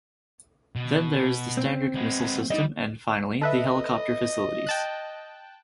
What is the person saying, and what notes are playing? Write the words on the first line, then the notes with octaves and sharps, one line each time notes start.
Then there is the Standard missile system and finally the helicopter facilities.
B2
C4
G#3 B3
G3 D#4 D#5
A4 B4 D#5 E5
G5 A5 F#6